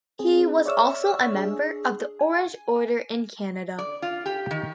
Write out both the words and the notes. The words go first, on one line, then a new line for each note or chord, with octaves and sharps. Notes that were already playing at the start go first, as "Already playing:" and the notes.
He was also a member of the Orange Order in Canada.
C4 G#4
C#5 D5 E5 C#6 E6 F6
D4 G#4
G#5
D5
F4
G4
D#3